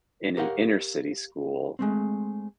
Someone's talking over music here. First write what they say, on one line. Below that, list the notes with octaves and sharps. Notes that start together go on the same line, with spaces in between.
in an inner city school
G4 A#4 C#5 F5 F#5
G#3 A3 C4